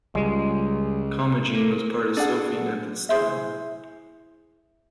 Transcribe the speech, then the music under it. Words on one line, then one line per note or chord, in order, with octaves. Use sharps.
Commagene was part of Sophene at this time.
C#2 G3 G#3
A#3
D4 G#4 A4 D5 F#5
E4 G#4 C5 E5